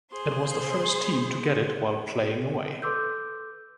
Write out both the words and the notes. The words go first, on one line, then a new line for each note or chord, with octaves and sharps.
It was the first team to get it while playing away.
G#4 C5 C6
A4 B4 C6 D6 E6 G6